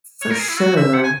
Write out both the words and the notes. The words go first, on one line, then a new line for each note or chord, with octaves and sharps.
For sure.
C#5
A#4
G#4
E4
F#4
E5
F#5
G#5